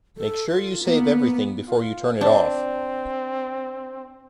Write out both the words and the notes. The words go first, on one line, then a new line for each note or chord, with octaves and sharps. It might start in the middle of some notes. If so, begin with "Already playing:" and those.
Make sure you save everything before you turn it off.
A4
F4
A#3 B3
F4
C4 D4